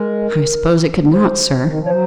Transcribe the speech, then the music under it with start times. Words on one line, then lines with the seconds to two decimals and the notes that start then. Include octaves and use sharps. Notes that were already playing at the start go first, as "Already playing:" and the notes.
"I suppose it could not, sir."
Already playing: G#3 A#4
1.13 C5
1.67 D#3
1.79 F3
1.86 C#5
1.90 F#3 C5